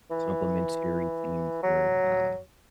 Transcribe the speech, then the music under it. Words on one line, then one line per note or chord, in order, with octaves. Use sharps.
complimentary things or, uh,
E3
F#3